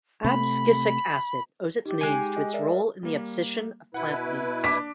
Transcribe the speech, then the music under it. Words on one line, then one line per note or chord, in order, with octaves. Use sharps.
Abscisic acid owes its names to its role in the abscission of plant leaves.
C3 A3 B5
D#4 G4
G#3 G#5
D#5
A#4 D5 E5
G3 A#3
B2 E4 B4 F#5
D4 D6 B6 E7